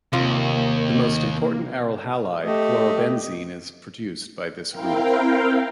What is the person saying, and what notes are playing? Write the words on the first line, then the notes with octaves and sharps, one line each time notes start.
The most important aryl halide, chlorobenzene is produced by this route.
D#2 C3 A#3 F4
A3 G4 D#5
C4 E4 A#4 F5 G5